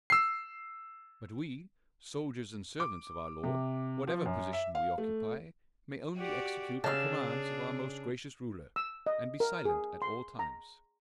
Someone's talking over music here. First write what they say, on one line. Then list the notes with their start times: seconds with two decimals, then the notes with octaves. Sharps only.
But we, soldiers and servants of our lord, whatever position we occupy, may only execute the commands of our most gracious ruler, and be silent at all times.
0.10 E6 C7
2.80 D6
3.44 C3
4.07 F3
4.26 F#2
4.53 E5
4.75 F5
4.98 A3
6.17 F#4 G4 D5
6.84 C#3 D4 G#4 F5 A5 E6
8.76 E6
9.06 D#5
9.40 A#4
9.65 G#4
10.02 C6
10.39 A#5